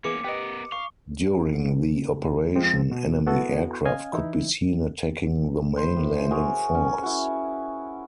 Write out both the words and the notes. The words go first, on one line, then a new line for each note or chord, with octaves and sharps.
During the operation, enemy aircraft could be seen attacking the main landing force.
E3 G#3 A#3 B3 C#4 D6 C#7
B3 G4 A#4 B4 D#5
F5 C#6
F3 G#3 C4
B2
B3 E4 F#4 A4
C#4 D#5 F5 G#5
E3 D#4 E4
B4 C5
A2
F#4 G#4 A#4 C#5
C#4
E4 F#4